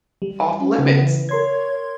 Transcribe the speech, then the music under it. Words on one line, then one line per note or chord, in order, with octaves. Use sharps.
off limits?"
G3
C#4
C#3 B3
E3
A#4 C#5 C6 G#6